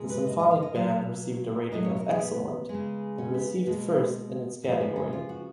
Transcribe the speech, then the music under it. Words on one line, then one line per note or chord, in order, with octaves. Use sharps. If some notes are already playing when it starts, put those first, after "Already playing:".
The Symphonic Band received a rating of "excellent" and received first in its category.
Already playing: A#2 G#3
B4
D#5
D#5
F5
D#5
B2 F#3 F5
B2 F#3 D#5
C#5
A#4
G#4
B3
G#3
C#3
C#4
B3
B3
B2 G#3 A#3
C#3 F3 G#3 B3
B3
C#4
F4
F#4